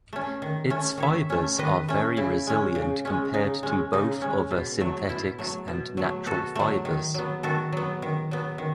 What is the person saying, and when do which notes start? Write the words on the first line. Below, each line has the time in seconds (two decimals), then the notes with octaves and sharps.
Its fibers are very resilient compared to both other synthetics and natural fibers.
0.13 A3 C#4
0.42 D#3
0.70 A3 C#4
0.98 D#3 C#5 E5
1.30 A3 C#4
1.58 D#3 B4 D#5
1.88 A3 C#4
2.17 C#3 E4
2.47 G#3 C#4
2.75 C#3
3.05 G#3 C#4
3.34 C#3 D#4
3.63 G#3 C#4
3.93 C#3 D#4
4.22 G#3 C#4
4.51 B2
4.81 F#3 A3
5.09 B2 E4
5.39 F#3 A3
5.68 B2
5.97 F#3 A3
6.26 B2 F#4 A4
6.55 F#3 A3
6.85 D#3
7.14 F#3 B3
7.43 D#3 F#4 A4
7.73 F#3 B3
8.02 D#3
8.31 F#3 B3
8.58 D#3